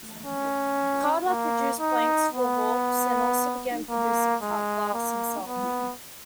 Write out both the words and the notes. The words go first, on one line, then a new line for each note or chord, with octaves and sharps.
Carder produced blanks for Hawkes and also began producing cut glass himself.
C#4
A#3
D#4
B3
A#3
G#3
A#3
B3